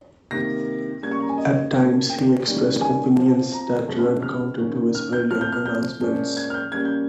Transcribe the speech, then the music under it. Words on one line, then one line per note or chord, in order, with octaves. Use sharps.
At times he expressed opinions that ran counter to his earlier pronouncements.
C3 D#3 A#3 A#6
C#3 G3 A#3 C#4 G#6
C#6
A#5
G#5
D#5
F3 A#3 C#4
G5
D#3 G3 A#3 C#4
G#5
F3 C4
A#5
C3 F3 G#3 C#4
F6
D#3 A#3 C#4
F6
G6
F3 C4 F6
G6
F6
G6
A#2 F3 G#3 C#4
G#6
F6
G6
C#3 G3 A#3 C#4 G#6
G6